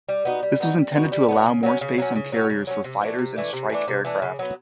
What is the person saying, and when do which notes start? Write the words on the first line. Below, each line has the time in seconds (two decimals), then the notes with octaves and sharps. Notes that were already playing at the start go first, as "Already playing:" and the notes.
This was intended to allow more space on carriers for fighters and strike aircraft.
0.09 G3
0.25 B3 D#4 F#4
0.43 G3
0.60 B3 D#4 F#4
0.78 G3
0.95 B3 D#4 F#4
1.12 G3
1.29 B3 D#4 F#4
1.46 C#3
1.63 F#3 A#3 C#4
1.81 C#3
1.98 F#3 A#3 C#4
2.15 C#3
2.32 F#3 A#3 C#4
2.50 C#3
2.67 F#3 A#3 C#4
2.84 C3
3.01 E3 A3 D4
3.19 C3
3.36 E3 A3 D4
3.53 C3
3.70 E3 A3 D4
3.88 C3
4.05 E3 A3 D4
4.22 C#3
4.39 F#3 B3